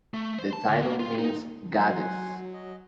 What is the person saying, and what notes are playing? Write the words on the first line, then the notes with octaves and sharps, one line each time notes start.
The title means "Goddess".
A3
C5
A5
D2
A#3
F4
D#4
F#3 F#5 G#5 C6
D#5